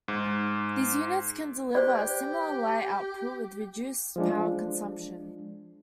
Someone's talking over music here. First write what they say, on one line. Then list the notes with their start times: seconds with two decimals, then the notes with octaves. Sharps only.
These units can deliver a similar light output with reduced power consumption.
0.08 G#2
1.75 G4 C5 D5
4.16 F3 G#3 D4